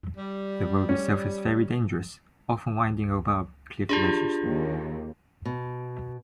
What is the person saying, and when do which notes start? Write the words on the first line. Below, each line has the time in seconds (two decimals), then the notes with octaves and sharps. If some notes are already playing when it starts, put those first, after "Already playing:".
The road itself is very dangerous, often winding above cliff ledges.
0.17 G3
0.89 C#4
3.89 D4 F4 G4 G#4 F#7
4.44 D#2
5.45 B2